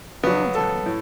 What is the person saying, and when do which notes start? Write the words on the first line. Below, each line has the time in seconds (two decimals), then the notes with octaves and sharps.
Well done.
0.23 C#3 F#3 B3
0.55 A4
0.86 A2